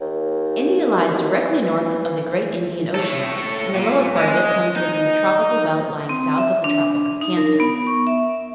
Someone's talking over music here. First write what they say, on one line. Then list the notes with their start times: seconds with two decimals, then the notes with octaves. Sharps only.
India lies directly north of the great Indian Ocean, and the lower part of it comes within the tropical belt lying south of the Tropic of Cancer.
0.01 D#2
1.34 E3
2.95 A4 C#5
3.75 A#2
4.17 G#3
4.76 D#4
6.09 C4
6.38 E5
6.64 D4
7.21 D#4
7.37 A#4
7.60 B3
7.87 C#6
8.07 E5